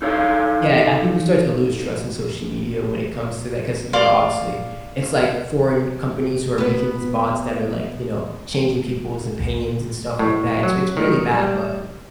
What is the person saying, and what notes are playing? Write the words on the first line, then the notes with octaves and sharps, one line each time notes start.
Yeah, I think you start to lose trust in social media when it comes to that 'cause, you know, obviously, it's like foreign companies who are making these bots that are, like, you know, changing people's opinions and stuff like that, it's it's really bad, but,
D#4 A4 C#5 F5
D5 F5 C6 D6
B3 B4
A2
F#3
D#3
G3